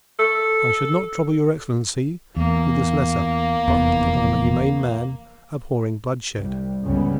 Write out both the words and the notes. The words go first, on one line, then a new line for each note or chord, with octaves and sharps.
I should not trouble your excellency with this letter but that I am a humane man, abhorring bloodshed.
A4
E2 A#3
F1 E2 B3
C2 G3
G1 C#2 F#2 C#3 G3 B3